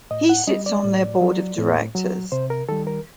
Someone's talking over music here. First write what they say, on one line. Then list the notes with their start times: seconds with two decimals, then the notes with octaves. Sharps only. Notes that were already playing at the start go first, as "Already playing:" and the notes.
He sits on their board of directors.
0.11 A2 D#5
0.29 F#5
0.47 G3 D#5
0.66 D5
0.84 A2
1.21 F#3
1.58 A2
1.95 F#3
2.32 C3 C5
2.50 A#4
2.69 D#3 G3 A4
2.87 A#4